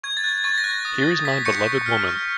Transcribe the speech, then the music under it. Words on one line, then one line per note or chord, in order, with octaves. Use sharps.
Here is my beloved woman!
C#6 G#6
A6
F#6
G#6
C#6 A6
A#6
F#6
A#6
D#6
G6
D#6 B6
C#6 G6 C#7
C#6
F6
C#6